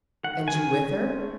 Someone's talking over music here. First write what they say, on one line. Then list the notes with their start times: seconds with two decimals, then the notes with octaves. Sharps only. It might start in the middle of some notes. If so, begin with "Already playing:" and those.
"And you with her?"
0.23 D#3 F#5
0.39 D#3
0.48 G#5
0.55 D#3
0.70 D#3
0.86 C#4
1.01 G#3
1.17 A3